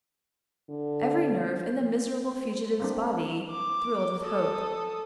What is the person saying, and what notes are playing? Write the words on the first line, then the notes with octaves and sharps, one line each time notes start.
Every nerve in the miserable fugitive's body thrilled with hope.
D3
A#3 C4 D4
D6
A4 D#6